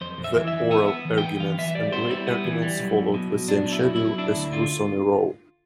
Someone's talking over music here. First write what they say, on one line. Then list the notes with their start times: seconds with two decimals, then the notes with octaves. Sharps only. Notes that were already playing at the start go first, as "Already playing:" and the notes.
The oral arguments and re-arguments followed the same schedule as those in "Roe".
0.01 F2 C5
0.18 F2
0.24 E5
0.36 E3
0.48 E5
0.53 E3
0.71 B3 E5
0.88 B3
1.05 E3
1.18 G5
1.23 B3
1.40 E3 F5
1.58 E3 E5
1.75 G3 D5
1.92 B3 C5
2.10 G3 E4
2.27 B3
2.45 E3
2.62 G3
2.79 B1
2.97 B1
3.14 B2
3.32 B1
3.49 B1 D4
3.66 B2
3.72 E4
3.83 B1
3.96 E4
4.02 B1
4.18 D4 E4
4.36 D2
4.52 D3 F4